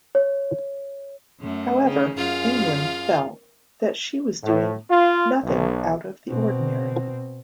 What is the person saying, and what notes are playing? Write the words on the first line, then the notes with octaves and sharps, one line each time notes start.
However, England felt that she was doing "nothing out of the ordinary".
C#5
F#2 A3
C#3 D#4
F#2 F4 G#4 F5
A2
F4
B1
B2 C4